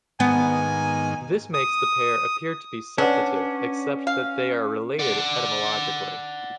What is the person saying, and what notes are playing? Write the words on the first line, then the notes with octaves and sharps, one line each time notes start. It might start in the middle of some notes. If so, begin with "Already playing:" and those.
This makes the pair appear to be suppletive, except that they are related etymologically.
G#2 D#3 B3 G#5
D#6
C#4 D4 B4 C#5 F#5
F5
D5 F#5